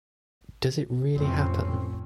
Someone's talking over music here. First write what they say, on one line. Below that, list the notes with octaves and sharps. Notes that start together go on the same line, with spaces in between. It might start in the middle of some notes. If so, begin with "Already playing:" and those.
Does It Really Happen?
F1 A2 C4 C#4